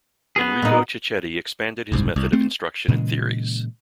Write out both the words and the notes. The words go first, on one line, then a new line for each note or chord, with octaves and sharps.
Enrico Cecchetti expanded his method of instruction and theories.
B3 G#4
A#2 D#4
F#1 C2 G#2
C2
A3 C4
A#2 C#3 E3 G#3